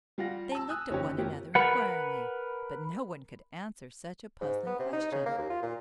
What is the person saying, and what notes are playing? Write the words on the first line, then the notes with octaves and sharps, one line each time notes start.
They looked at one another inquiringly, but no one could answer such a puzzling question.
G3 F4 F5 F#5 A#6
A5 E6
G#5 D#6 E6 F#6
F#1 E3 C#4 D#4 G4 C#5
A3 B3 C#4 F4 G4 A#4
A#4 B4 F#5
G#2
B3
C3
D#4
C#3
A#3
D#2
F4
A#2